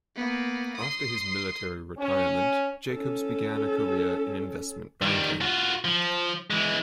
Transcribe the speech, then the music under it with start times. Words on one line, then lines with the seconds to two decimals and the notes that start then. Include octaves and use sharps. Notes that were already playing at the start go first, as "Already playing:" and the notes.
After his military retirement, Jacobs began a career in investment banking.
0.16 A#3 B3
0.76 C6 D#6
1.98 C#4
2.91 C#4 A4
5.02 D#3 G3
5.41 F4 F#4
5.85 F3
6.50 E3 G#3